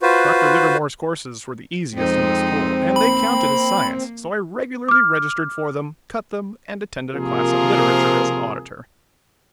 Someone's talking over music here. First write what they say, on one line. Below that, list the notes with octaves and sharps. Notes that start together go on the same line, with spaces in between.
Dr. Livermore's courses were the easiest in the school and they counted as science, so I regularly registered for them, cut them, and attended a class in literature as an auditor.
F4 F#4 B4 C5
F2 G#3 C4 D#4
A#3 B5
D6 F6
C3 F3 A#3 F4 G#4 A#4